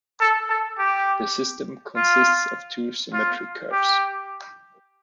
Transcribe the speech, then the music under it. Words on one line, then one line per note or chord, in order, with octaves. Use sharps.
The system consists of two symmetric curves.
A4
A4
G4
F4
F4
G4